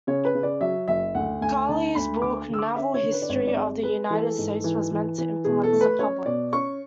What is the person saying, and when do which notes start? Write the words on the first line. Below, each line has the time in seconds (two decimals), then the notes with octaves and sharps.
Carey's book "Naval History of the United States," was meant to influence the public.
0.07 C#3 C#5
0.25 B4
0.35 C#3
0.43 D5
0.61 F#3 E5
0.88 F#1 E5
1.15 D2 F#5
1.41 D2 G#5
1.69 D3 A5
1.95 D2 B5
2.22 D3 D6
2.49 D3 E6
2.59 D6
2.76 C#4 E5
2.94 C#5
3.03 D3
3.12 B4
3.22 D5
3.29 G#1 C#5
3.47 D5
3.57 G#3
3.83 G#3 B4
4.10 E3 A4
4.38 G#2
4.64 E3
4.91 E3
5.18 E3
5.44 B2 G#4
5.63 A4
5.73 A3
5.81 B4
5.99 C#4 C#5
6.26 B2 D5
6.52 C#4 C#6